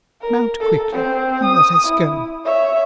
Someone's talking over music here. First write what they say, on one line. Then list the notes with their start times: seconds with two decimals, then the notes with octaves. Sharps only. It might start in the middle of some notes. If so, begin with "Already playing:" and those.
Mount quickly and let us go.
0.21 A#4
0.60 A4
0.93 C4
1.43 D#6
1.86 E4
2.45 C#5 E5